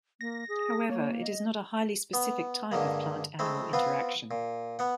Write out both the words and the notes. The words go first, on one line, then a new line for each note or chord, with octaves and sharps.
However, it is not a highly specific type of plant-animal interaction.
A#3 A#6
G#4
A#3 C#5
D#5
B3
G2 D3 G#3 A#3
G#3 A3 C4 B5
B3 C4 F4 B4
A#2
B3 F#5